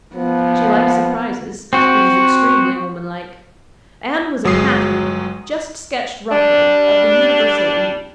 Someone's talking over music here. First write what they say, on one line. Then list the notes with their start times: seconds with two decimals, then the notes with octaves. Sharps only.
She liked surprises, which is extremely woman-like. Anne was a pattern--just sketched roughly--of the universal Eve.
0.16 F3 B3
1.73 C4 F#4
4.45 G1 F#3 G#3 D#6 C7
6.31 G3 D4